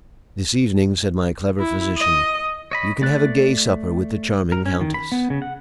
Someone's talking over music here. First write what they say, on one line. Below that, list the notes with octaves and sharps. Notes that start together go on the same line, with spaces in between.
"This evening," said my clever physician, "you can have a gay supper with the charming countess."
E4
D#5
C#5 D#5 B5
A3 D5 F#6
A#4
C#4
D#3
B5
B3
C#3
F#5